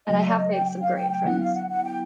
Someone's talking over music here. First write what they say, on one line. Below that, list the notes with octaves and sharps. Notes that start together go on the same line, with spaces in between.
And I have made some great friends.
C#3 F#3 A3 D#5
E5
D5
D#5
G5
G5
F5
G5
G5
D3 F#3 B3 E4 F#5
F5
F#5
F#5
G5